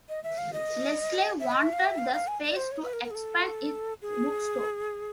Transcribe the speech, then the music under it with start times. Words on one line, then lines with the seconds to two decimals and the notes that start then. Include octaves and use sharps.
Lesley wanted the space to expand its bookstore.
0.09 D#5
0.23 E5
0.38 F5
0.53 D#5
1.40 E5
1.51 D#5
1.62 E5
1.73 F5
1.84 E5
1.98 F5
2.13 F5
2.27 G#5
2.42 D5
2.56 C5
2.71 C#5
2.83 B4
2.93 A#4
3.04 A#4
3.10 G#4
3.15 A4
4.02 G#4